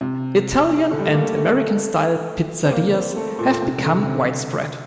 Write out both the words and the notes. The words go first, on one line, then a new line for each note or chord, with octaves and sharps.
Italian and American style pizzerias have become widespread.
C3
D3
G3
A3
A#3
A3
C4
A#3
C4
A3
A#2
C3
C3
D3
C3